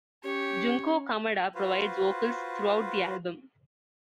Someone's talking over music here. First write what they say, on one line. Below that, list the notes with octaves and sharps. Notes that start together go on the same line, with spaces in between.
Junko Kamada provides vocals throughout the album.
C#4 G4 C#5
F4 F#4 B4 C5